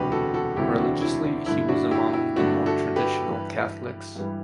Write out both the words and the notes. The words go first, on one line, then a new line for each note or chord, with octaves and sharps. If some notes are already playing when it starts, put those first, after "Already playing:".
Religiously he was among the more traditional Catholics.
Already playing: E1 D2 C3 D4 F#4 G4 B4
F#4 A4
F#4 A4
E1 D2 C3 E4 G4
D4 F#4
E4
D4
G2 D3 A3 E4
D4 F#4
E4 G4
E4
G2 D3 A3 D4 F#4
F#4 A4
G4 B4
G2 E3 G3
G2 E3 G3